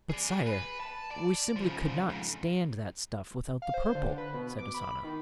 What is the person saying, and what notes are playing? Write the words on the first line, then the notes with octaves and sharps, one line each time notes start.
"But, Sire, we simply could not stand that stuff without the purple," said Asano.
G#4 D5
B4
A5
D5
C#3 F3
F2 G#2
F5
C5
D3
B4
B2
D6
B5
D#3